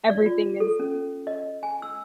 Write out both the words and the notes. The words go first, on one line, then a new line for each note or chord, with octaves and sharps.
everything is
D5
F4
A4
C#4
D#5
G#5
E6